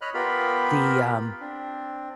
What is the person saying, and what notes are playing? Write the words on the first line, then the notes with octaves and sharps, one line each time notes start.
the, um
C#5 D#5 B5 F6 F#6
B3 F4 G4 A#4 B5
C4 D4